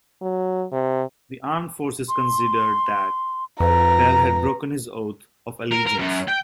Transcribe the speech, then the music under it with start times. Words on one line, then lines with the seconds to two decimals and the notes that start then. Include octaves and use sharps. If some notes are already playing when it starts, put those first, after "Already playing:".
The armed forces considered that Bell had broken his Oath of Allegiance.
0.22 F#3
0.72 C3
2.09 C6
3.60 F2 B4 A#5
5.72 A#4
5.87 A#4
5.99 F#2
6.28 G5